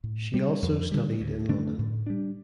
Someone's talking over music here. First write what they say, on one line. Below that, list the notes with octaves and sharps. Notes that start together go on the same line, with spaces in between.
She also studied in London.
A2
G3 C4
F2
D3 G3
D2
D3 A3 D4
A2
G3 D4